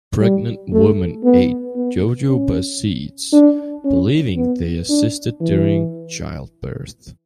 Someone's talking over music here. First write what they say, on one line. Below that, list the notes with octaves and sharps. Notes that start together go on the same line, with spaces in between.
Pregnant women ate jojoba seeds, believing they assisted during childbirth.
G3
A3
B3
B3
C#4
D4
C#4
B3
D4
E3